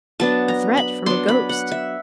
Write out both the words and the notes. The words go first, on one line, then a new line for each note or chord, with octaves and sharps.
A threat from a ghost!
F#3 B3 D4 A5
A#5
B5
F#3 B3 D4 C6
B5
F#5
E5